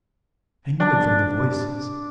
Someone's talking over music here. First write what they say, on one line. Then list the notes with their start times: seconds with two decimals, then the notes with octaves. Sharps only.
I knew it from the voices.
0.80 D4